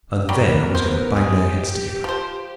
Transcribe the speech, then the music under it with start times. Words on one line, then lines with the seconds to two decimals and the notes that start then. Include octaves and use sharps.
And then I was going to bang their heads together.
0.29 F#3 G3 B3 A#4
0.75 C5
1.17 G4 G#4
2.04 F3 C5